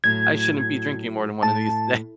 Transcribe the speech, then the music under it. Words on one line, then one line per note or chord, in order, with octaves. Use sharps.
I shouldn't be drinking more than one of these a day."
A2 F#3 G#6
A2 A5